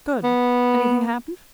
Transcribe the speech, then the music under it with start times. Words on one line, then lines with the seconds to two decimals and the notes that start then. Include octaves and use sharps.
Good. Anything happened?'
0.24 B3